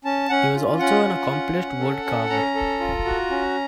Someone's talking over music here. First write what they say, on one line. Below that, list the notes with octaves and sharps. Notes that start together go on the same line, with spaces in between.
He was also an accomplished wood carver.
C#4 A5
C#4 F#5
F4
C#4 F#5
F4
C#4
C#4
A4
C#4
C#4 A#5
A4
F4
F#4
C#4